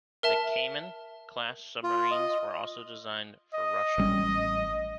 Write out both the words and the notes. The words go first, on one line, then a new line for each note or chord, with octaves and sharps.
The "Kaiman"-class submarines were also designed for Russia.
A#4 E5 A5
F4
D#5
D#5
A1 G3 C#4